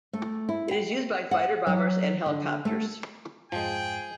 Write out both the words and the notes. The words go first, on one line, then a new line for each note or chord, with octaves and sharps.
It is used by fighter bombers and helicopters.
A3
E4
G5
F#5
F#3
D3
A3
F2 G#2 F3 G#3 G#4 G5